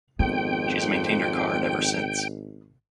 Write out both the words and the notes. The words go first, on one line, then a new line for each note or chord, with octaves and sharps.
She has maintained her card ever since.
G#1 F2 B3 G5